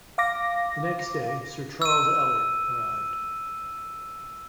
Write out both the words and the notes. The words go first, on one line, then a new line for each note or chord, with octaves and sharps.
The next day "Sir Charles Elliot" arrived.
F5 D6 A#6
E6 D#7